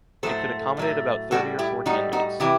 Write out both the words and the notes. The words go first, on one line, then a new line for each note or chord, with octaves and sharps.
It could accommodate about thirty or forty inmates.
A2 F#3 A3 A4 C5
A2 F#3 A3
A2 G3 F#4 A4
E4 G4
A2 G3 D#4 F#4
D#4 F#4
C3 E3 E4 G4